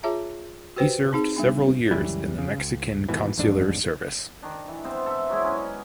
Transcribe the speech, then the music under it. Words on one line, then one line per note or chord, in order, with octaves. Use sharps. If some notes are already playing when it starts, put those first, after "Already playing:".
He served several years in the Mexican consular service.
F4 G#4 C#5 E5 A5 A#5
F#4 G4 B4 C5 G5
C4 D#4 G#4
G3 B3 D4
C#2 F#2 E3 G3
C#3
C#2
D#2 G#2 B2 E3
A1 F2 G#2 D4
D#3 D4
E3
B3 C4 C5
A4 E5
F#3 G#3 E4
C#4 B4 D5 D#5